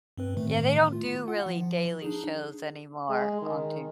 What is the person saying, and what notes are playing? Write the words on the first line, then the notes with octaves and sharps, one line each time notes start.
Yeah, they don't do really daily shows anymore on t
G2 C4 B4
A2 D#3 A3
F4
F4 F#5
F3
D4 D#4 G#4
G#3
D#3